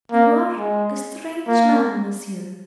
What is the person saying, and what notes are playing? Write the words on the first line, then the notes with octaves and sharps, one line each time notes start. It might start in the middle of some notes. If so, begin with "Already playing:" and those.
"You are a strange man, monsieur...."
A#3
G#3
A#3